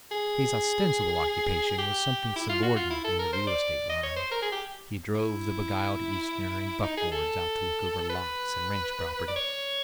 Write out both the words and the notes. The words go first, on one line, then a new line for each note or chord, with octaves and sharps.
His ostensible occupation was something subordinate in the real estate line; he drove the beguiled Easterner in buckboards out to look over lots and ranch property.
G#4
G4
E4
F4
F#4
F4
E4
A4
A#4
C5
D5
D#5
C#5
C5
A#4
G#4
G4
E4
D#4
G#4
A4
B4
D5
C#5